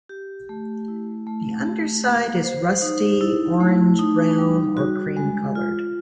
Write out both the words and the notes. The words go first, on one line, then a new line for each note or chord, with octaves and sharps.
The underside is rusty, orange, brown, or cream colored.
G4
A3
E4
A3
G4
A#3
C5
D#4
E4
A3
D#4
G3
F#4
G#3
F4